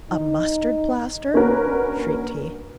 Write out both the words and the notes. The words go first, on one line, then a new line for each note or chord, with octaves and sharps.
"A mustard-plaster?" shrieked he.
D#4
A#3 C#4 D4 F#4 A#4 B4